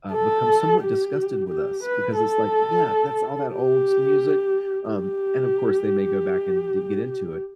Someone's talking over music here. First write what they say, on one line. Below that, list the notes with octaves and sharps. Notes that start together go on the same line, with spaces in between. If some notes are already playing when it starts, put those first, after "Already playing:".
uh, become somewhat disgusted with us, because it's like, "Yeah, that's all that old school music." Um, and of course they may go back and d get into it,
A4
G4
G4
B4
A4
G4
G4